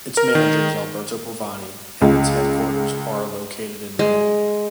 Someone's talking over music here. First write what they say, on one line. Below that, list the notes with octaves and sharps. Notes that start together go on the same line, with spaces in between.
Its manager is Alberto Polvani and its headquarters are located in Rome.
A#4
D#3
C#2
G#3